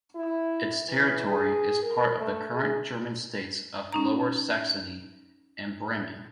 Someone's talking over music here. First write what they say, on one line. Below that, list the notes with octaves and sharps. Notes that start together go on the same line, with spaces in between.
Its territory is part of the current German states of Lower Saxony and Bremen.
E4
E3
G#4
A#4
A3
G#4
C#4 D#4 A#5